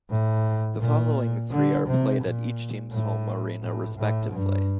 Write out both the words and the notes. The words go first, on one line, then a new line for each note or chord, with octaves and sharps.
The following three are played at each team's home arena respectively.
A2
A#2
D3
C3
A#2
A2
A2
A2
G2